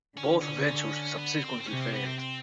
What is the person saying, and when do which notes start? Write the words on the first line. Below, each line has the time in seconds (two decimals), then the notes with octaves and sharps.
Both ventures subsequently failed.
0.18 D3 C#4
0.42 C#4
0.68 C#4
1.18 B3
1.44 C4
1.61 C4
1.68 C3 C#4
1.82 C4
1.94 B3
2.07 C4
2.19 C4